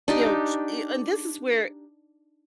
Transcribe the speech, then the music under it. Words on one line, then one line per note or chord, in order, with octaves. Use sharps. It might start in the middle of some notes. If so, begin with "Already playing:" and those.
you know, t and this is where,
D4 D#4 G4